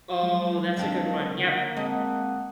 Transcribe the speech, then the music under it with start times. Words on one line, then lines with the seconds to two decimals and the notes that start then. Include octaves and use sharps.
Oh, that's a good one. Yep.
0.23 F#3 G#3
0.77 D#3 C4 D4 F5
1.38 D3 A#3 F#5
1.77 G#3 C4 D#5 F#5 A5